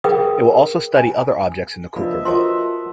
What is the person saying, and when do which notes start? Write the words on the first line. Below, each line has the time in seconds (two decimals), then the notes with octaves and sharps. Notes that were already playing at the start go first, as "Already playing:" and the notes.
It will also study other objects in the Kuiper belt.
0.04 G#4 A#4 B4 F5 G5 D#6
0.97 G#5
1.96 F3 A#3 D4 B4 D#5 E5 B5
2.25 F4 F#4 A#4 C5 A5 C6